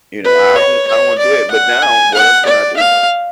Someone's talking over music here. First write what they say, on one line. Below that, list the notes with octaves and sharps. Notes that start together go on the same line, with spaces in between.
You know, I I don't I don't wanna do it, but now, what else can I do?
B4
C#5
C#5
D5
F#5
G#5
F#5
D5
F5